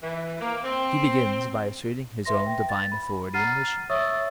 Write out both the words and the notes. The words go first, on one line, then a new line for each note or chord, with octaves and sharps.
He begins by asserting His own Divine authority and mission.
E3
A#3
C4
B4 E5 C6 A#6
G5
A6
B5
F#5 A#5 F6 A6 C7 D#7
C#5 E5 C#6 D#6 E6 A6